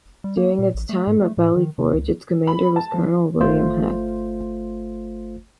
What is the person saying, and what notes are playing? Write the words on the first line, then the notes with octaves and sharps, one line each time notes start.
During its time at Valley Forge its commander was Colonel William Heth.
G3
A#3
A#2
A1
A3
G#2
A3
A2
D#3
C3
C#2
B5
A5
F3
G1 A3 F4 C5